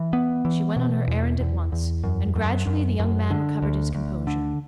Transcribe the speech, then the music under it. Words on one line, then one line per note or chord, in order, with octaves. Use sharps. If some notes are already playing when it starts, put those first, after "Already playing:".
She went on her errand at once, and gradually the young man recovered his composure.
Already playing: E3
B3
E3
B2
E2
E2
E2
F#2
F#2
F#2
F#2
D3
D2
D2
D3